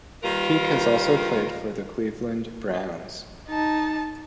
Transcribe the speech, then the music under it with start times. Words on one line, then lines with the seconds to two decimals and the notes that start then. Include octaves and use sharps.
Peek has also played for the Cleveland Browns.
0.24 D#3 G3 A#3 F4 A#4 B4
3.49 D#4 A5